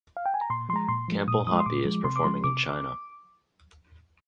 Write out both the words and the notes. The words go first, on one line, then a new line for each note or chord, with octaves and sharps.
Campbell Hapi is performing in China.
F5
G5
G#5
A#5
A#2 C6
F3 G#3 A#5 C6
A#2 C6
F3 G#3
A#2 D#6
F3 G#3 D#6
C6
A#2 D6
F3 G#3
C3 C6
D6
F3 G#3 C6
C3 D6